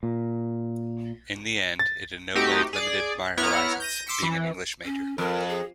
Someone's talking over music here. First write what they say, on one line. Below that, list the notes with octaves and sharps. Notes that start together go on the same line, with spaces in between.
In the end, it in no way limited my horizons, being an English major.
A#2
A6
A3 C4 D#4 F#4 G4
G#4 D5
B3 E4 C#5 A#5 F6
G6 A#6 D#7
C6 D6 E6 B6 C#7
E3
C#4
F2 A#4
G#4